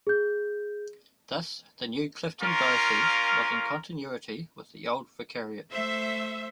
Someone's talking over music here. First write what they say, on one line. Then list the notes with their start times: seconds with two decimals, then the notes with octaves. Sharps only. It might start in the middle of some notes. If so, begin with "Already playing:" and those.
Thus the new Clifton diocese was in continuity with the old vicariate.
0.07 G#4 G6
2.42 A#3 C#4 F4 A#4
5.72 A3 C5 E5